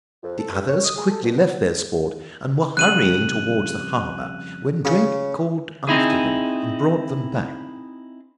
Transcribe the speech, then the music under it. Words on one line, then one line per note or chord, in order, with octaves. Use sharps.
The others quickly left their sport and were hurrying toward the harbor when Drake called after them and brought them back.
F2
A4
G2
C#5
D#6
G#4
A4
B2
B3
F2 C#3 G3 F#6 D#7 F#7
C#3
C4 D#4 E4 G#4